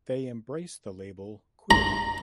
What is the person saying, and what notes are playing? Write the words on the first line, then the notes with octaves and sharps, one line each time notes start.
They embrace the label queer.
A#5